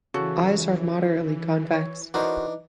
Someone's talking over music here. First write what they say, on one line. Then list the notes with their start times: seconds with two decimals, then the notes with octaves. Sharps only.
Eyes are moderately convex.
0.14 C#3 E3 F#4 A4
1.74 C#5
2.14 E3 D4 D#4 F#4 A#4 C5